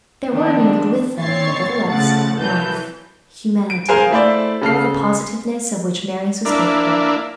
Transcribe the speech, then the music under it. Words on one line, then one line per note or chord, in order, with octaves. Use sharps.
There were mingled with them, nevertheless, life, humanity, all the positiveness of which Marius was capable.
D#3 F3 B3 C4 D4
A#2 C4 C#5 C#6 A6 C7
C#3 F3 A3 F#5 A6
C2 E3 F#3 A4 G6
D7
G#4 A#4 C5 F5 G#5
A3 E4 C5 D5
C#3 A4 F6 C7
A#3 D4 E4